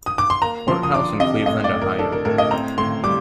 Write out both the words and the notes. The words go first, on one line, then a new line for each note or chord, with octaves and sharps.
Courthouse in Cleveland, Ohio.
D#6
D6
C6
A#3 A#5
F3 C6
D#6
D4 D6
C3 D#5
A2 D#5
D5
A2
A#4
D4 A4
A#4
A2 A#4
D#5
C4 A#5
A2 C6
G3 D6